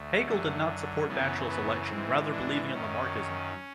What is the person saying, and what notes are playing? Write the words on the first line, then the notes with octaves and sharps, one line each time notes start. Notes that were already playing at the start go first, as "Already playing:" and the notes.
Haeckel did not support natural selection, rather believing in Lamarckism.
Already playing: D2 A3
F#2 D3
F#2 C#3 E3 B3
B3
G#2 E3 C4
D4
F#2 D#3 C#4